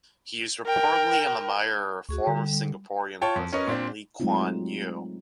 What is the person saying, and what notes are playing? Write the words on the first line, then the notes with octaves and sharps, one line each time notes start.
He is reportedly an admirer of former Singaporean president Lee Kuan Yew.
A#4 G5
D2 F#4 G#4 C#6
D3 G3
F4 C#5 G5 A5
F2
C#4 A#4 B4 C#5 D#5
A#2 C4 D4
F#3 G#3 A3 C4 D#4 F4